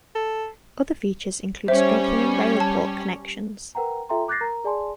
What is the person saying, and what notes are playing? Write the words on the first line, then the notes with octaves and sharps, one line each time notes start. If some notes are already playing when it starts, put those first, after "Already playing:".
Other features include strengthening rail-port connections.
A4
G3 C#4 C5 E5
A5
A#4 B4 F#5 G5 A#5
F4 A4 E5 G5 A#5 C6
D6 F#6 G6 A6 A#6 C7
A#4 A#5
G#4 D5 G#5 A5 C6